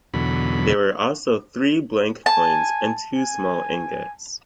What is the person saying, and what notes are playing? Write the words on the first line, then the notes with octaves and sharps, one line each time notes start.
There were also three blank coins and two small ingots.
E2 B2 D3 F#3 B5
G#5 A5
G#5